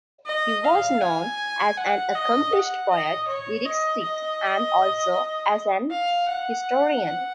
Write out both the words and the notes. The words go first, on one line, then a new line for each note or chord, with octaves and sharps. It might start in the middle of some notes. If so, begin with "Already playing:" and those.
He was known as an accomplished poet, lyricist and also as an historian.
D#5
F5
G#5
F#5
D#5
F#5
D#5
C#5
D#5
D#5
F5
F#5